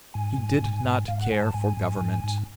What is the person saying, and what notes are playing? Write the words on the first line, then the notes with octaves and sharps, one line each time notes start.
He did not care for government.
G#2 G#5
G#2
G#2
G#2
G#2 F5
F#5
G#2 G#5
A5
G#2 G#5
G#2
G#2
G#2